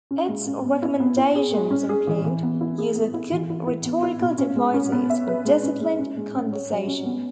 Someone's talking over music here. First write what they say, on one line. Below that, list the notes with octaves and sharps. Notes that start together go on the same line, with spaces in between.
Its recommendations include use of good rhetorical devices for disciplined conversation.
C#4
G#3
C#4
B3
E4
B3
E4
G#4
G#3
C#4
G#4
E3
E3
B3
E4
G#4
B3
E4
E3
E4
E4
B3
E4
B2
C#4
G#3
C#4
B3
E5
B4
G#3
C#4
G#3
C#4
G#3
C#4
C#5
F#3
C#4
B3